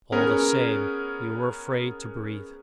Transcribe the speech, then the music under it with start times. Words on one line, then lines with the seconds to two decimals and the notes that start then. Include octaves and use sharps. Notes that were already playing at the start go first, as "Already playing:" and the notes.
All the same, we were afraid to breathe.
0.12 B3 C#4 G#4 A#4